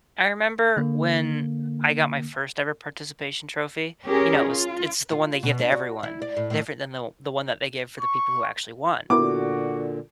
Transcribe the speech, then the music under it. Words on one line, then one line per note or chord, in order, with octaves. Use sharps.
I remember when I got my first ever participation trophy. You know, it was it's the one they give to everyone, different than the the one that they give for the people who actually won.
D3 A#3
C#4 G4 G#4 A#4
F4
F4
B2
D4
F#4
E4
D5
A2
A2
C#6
A#2 D3 B3 E4 F#4 A#4 D6